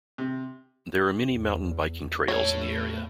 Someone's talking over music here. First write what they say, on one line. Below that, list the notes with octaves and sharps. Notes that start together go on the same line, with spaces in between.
There are many mountain biking trails in the area.
C3
E2
E2 A2 C#5